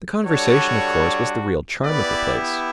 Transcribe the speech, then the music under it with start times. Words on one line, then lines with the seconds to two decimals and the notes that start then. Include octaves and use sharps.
The conversation, of course, was the real charm of the place.
0.25 G3 D4 F#4 A4 C#5
1.82 B3 E4 G4 B4 D5